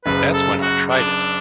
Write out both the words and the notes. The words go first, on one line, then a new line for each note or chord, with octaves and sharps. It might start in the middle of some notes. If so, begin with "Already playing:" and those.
That's when I tried it.
F#1 F#2 C#3 B4
A4
F#4
D4